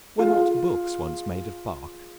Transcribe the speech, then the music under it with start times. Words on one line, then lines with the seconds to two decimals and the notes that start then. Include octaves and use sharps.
Were not books once made of Bark?
0.17 F4 G#4